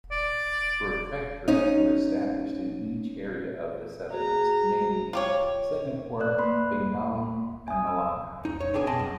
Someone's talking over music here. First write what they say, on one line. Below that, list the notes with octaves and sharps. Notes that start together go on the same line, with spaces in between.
Protectorates were established in each area of the Settlements, namely Singapore, Penang and Malacca.
D5
C#4 D#4
F#4 G#4 A#5
F4 G4 C#5
B4 D5 F#6
A#3 B5 C6
G#5 D#6
E6
D#4
C#5
B3 C4 D4 G#4 G#5
B2 G#4 D#5 G5 A5 C6
F#2